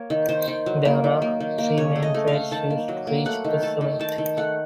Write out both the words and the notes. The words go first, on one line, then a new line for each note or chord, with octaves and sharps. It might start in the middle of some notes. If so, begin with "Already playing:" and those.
There are three main trails used to reach the summit.
Already playing: A#3 C#5
D#3
D#3 C5
D#3
F#3
A#3
D#3
A#3
D#3
A#3
C#3 C#5
A3
D#5
A3
F5
A3
D#3 A5
A#3
F#3
A#3
A3 F#5
D#3
A3 A5
D#3
D#3 A5
D#3
A3 F#5